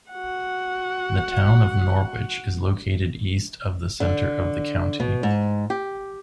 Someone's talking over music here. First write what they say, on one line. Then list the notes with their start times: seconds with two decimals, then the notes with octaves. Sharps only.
The town of Norwich is located east of the center of the county.
0.10 F#4 F#5
4.00 D3
5.00 B2
5.23 G#2
5.70 G4